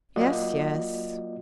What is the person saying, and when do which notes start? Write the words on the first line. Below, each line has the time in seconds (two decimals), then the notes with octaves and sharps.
"Yes, yes."
0.16 F#3 A#3 F4 F#4 D5 D#5